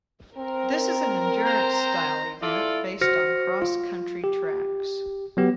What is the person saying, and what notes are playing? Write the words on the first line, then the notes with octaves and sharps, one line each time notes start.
This is an endurance style event based on cross country tracks.
C4 A#4
C5 A#5
E4 F4 A4 D5
F#4 C5 F6 A#6 C#7
F4
G4
F#3 B3 G4